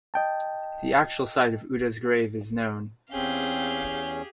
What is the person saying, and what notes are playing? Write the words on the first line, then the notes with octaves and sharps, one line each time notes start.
The actual site of Uda's grave is known.
D#5 G5 A5
E2 C4 C#4 G4 G#4 F5 G6